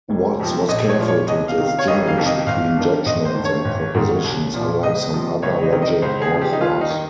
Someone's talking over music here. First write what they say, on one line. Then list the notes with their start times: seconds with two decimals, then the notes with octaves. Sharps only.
Watts was careful to distinguish between judgements and propositions, unlike some other logic authors.
0.10 F1
0.40 F2 C3 F3
0.69 A#1 D#5
0.89 C#5
0.99 A#2 F3
1.08 C#5
1.28 C2 D#5
1.48 F5
1.58 C3 D#3
1.67 F5
1.79 C#5
1.88 F1 D#5
2.08 F5
2.17 F2 C3 D#3
2.27 D#5
2.46 G#1 F5
2.77 G2 D#3
3.06 G#1 D#5
3.25 C5
3.35 G2 D#3
3.45 C#5
3.65 G#1
3.94 G#2 D#3
4.24 C2
4.54 A#2 F3
4.83 C#2 D#5
5.13 C3 F3
5.42 C#2 C#5
5.63 D#5
5.72 C3 D#3
5.82 D#5
6.02 C#2 C5
6.22 G#4
6.31 C#3 F3
6.42 G4
6.53 D#4
6.61 D#2 F4
6.81 D#4
6.90 D#3